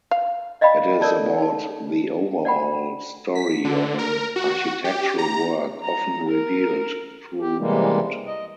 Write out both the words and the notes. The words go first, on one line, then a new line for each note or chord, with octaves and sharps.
It is about the overall story of an architectural work, often revealed through art.
F5
D5 D#5 F5 G5 B5
A4 A#4 C#5 D5 A5
D#4 A5
D5 F#5 G5 B5
B6
D3
A#4
F#4
G4
A#5
A#5
A#4
G4
C3 E3 G3 G#3 A#3
D#5